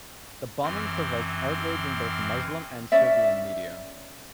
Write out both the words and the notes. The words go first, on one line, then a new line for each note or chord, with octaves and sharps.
The bombing provoked outrage in both Muslim and Serbian media.
F#2 E3 C4 C6 F6
C#4 D5 E5